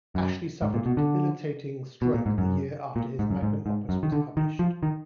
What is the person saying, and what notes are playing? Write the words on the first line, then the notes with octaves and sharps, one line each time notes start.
Ashley suffered a debilitating stroke the year after his magnum opus was published.
F#2
G#2
A#2
B2
D3
B2
A#2
G#2
F#2
A#2
G#2
F#2
G#2
G#2
F#2
D#3
D3
D#3
F3
D#3